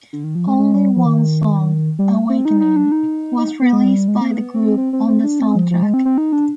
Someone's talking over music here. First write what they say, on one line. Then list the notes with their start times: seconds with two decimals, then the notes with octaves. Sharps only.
Only one song, "Awakening", was released by the group on the soundtrack.
0.13 D3
0.24 D#3
0.35 F3
0.47 G#3
0.59 G#3
0.74 G3
0.96 F3
1.05 D#3
1.99 G3
2.30 C4
2.45 D#4
2.60 D#4
2.76 D4
2.92 D#4
3.38 D#4
3.62 B3
3.73 G#3
3.85 G3
4.08 G#3
4.21 C4
4.31 B3
4.54 C4
4.78 C4
4.93 C4
5.08 C4
5.24 D4
5.40 C4
5.55 F3
5.71 F3
5.83 G#3
5.94 C4
6.05 C4
6.18 D#4
6.32 D4